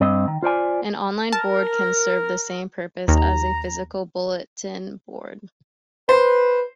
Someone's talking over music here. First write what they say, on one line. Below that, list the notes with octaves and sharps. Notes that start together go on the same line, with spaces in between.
An online board can serve the same purpose as a physical bulletin board.
G2 C4 D#5
D#3
F4 C5 D5 G#5
A#4 A5
D#2 A#5
B4 C5